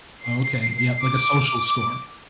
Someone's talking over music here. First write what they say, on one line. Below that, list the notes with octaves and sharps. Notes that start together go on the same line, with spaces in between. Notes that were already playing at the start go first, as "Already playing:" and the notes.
Okay, yup, like, a social score.
C7
D6